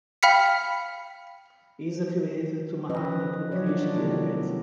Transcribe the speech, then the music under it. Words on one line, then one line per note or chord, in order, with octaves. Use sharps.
It is affiliated to Mahatma Phule Krishi Vidyapeeth.
F5 G5 B5 F6 B6 C#7
F3 C#4 B4 D#5
D#3 E3 F#3 F#4 C#5 D5
G3 D4 F4 D5
C3 D#3 A3 B3 E4 G4